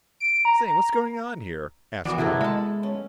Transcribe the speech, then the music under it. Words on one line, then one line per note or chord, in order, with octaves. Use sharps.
"Say--what's going on here?" asked Tom.
D7
A#5
E3 B3 F#4 A#4 D5
C3 E4 G#4 A4
G#3 A5 B5
C#4